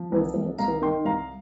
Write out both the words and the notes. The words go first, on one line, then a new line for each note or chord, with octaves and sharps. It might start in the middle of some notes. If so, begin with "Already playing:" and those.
listening to,
Already playing: F3
C2
C2
C2 F5 A#5
D#3 G5 C6
C2 F5 A#5